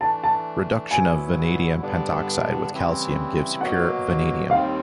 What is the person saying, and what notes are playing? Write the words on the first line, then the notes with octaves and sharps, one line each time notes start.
Reduction of vanadium pentoxide with calcium gives pure vanadium.
E3 A3 D4 A5
A5
A#2 F#3 B3 E4 G#5
G2 D3 G3 B3 D4
C#3 E3 G3 C4 E4
B2 F#3 A#3 F#5
D#2 D#3 G3 C4 F5